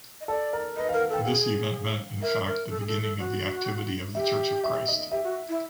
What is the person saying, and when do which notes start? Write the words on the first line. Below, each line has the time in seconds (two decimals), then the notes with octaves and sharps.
This event meant, in fact, the beginning of the activity of the Church of Christ.
0.21 D#5
0.28 A4 D5
0.53 A#4
0.76 B4 D#5
0.89 A#4 F5
1.01 F#5
1.10 A4 G5
1.25 G#4 F#5
2.22 A#4 E5
2.47 A#4
2.70 A4
2.80 G#4
2.87 A4
3.02 A4
3.19 F#4
4.15 G4 E5
4.64 E5
4.88 D#5
5.12 G4 E5
5.24 F#4
5.49 E4